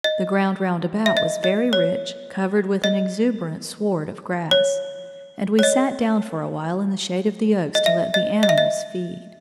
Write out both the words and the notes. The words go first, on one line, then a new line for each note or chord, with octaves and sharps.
The ground round about was very rich, covered with an exuberant sward of grass; and we sat down for a while in the shade of the oaks to let the animals feed.
D#5
E5
D#5
D#5
C#5
D#5
C#5
C#5
D#5
D#5
E5
D#5
D#5
E5
D#5